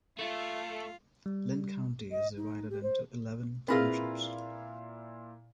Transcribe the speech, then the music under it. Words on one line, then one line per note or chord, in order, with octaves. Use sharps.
Linn County is divided into eleven townships.
A3 F4
G3
D#5
D#4
G4
C5
A#2 C4 E4 F4 G#4 A#4 B4 F5